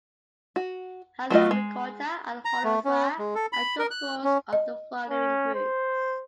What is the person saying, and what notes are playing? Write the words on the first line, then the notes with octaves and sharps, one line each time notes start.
Holomycota and Holozoa are composed of the following groups.
F#4
F#3 A3 F4 D#5
G#3
A#5
A3
C#4
G#3
A4
B5
A#4
F#6
C#4
D#5
C#4
C5